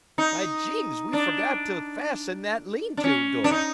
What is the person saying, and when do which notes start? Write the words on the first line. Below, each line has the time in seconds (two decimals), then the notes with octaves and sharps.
By jings, we forgot to fasten that lean-to door!
0.18 D#4
1.13 D4
2.97 D4
3.04 C#4
3.44 D4
3.51 D#4